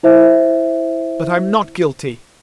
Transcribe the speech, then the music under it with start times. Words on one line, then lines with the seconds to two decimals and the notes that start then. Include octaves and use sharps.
But I'm not guilty.
0.03 E4 C5 E5